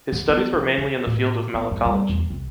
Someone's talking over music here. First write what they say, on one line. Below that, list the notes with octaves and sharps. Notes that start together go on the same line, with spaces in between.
His studies were mainly in the field of malacology.
D3
B3
F3
D#3
A2
B3
G2
G3
E2
C2